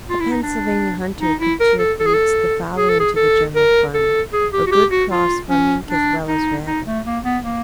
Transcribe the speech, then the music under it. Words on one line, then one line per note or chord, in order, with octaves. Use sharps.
A Pennsylvania hunter contributes the following to the general fund: a good cross for mink as well as rabbit.
F4
E4
D#4
D4
D#4
E4
A#4
A4
A4
G#4
A4
G#4
A4
G#4
A4
A#4
A4
G#4
G4
F#4
G4
F#4
F4
C#4
D4
D#4
D#4
A3
A#3
B3
A#3